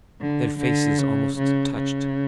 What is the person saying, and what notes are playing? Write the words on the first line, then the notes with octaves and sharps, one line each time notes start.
Their faces almost touched.
D3
D3
C#3
C#3
C#3